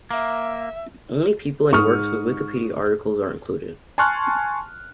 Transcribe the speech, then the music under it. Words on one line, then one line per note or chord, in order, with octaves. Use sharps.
Only people and works with Wikipedia articles are included.
A#3 E5
G#2 C#6 D#6 F6
G#5 A5 C6 C#6 F6 F#6